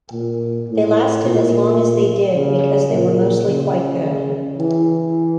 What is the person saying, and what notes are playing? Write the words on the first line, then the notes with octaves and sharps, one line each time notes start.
They lasted as long as they did because they were mostly quite good.
A#2
A2
A#2
C#3
A#2
C#3
E3